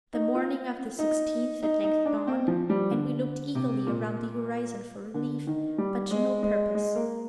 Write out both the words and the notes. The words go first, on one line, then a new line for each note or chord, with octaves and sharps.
The morning of the sixteenth at length dawned, and we looked eagerly around the horizon for relief, but to no purpose.
D#4
F4
D#4
D#4
D#4
D4
C4
F3
G3
D3
C3
A#2
D3
D#3
G3
G#3
G#3
G#3
A#3